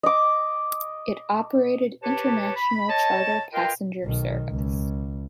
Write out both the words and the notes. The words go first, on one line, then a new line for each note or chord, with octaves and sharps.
It operated international charter passenger service.
D#5 D6
G4 B4 C#5 A5
B5
C#5 D#5 A5
F4 A#4 B4 D#5 F5 G5
B1 D#3
C#2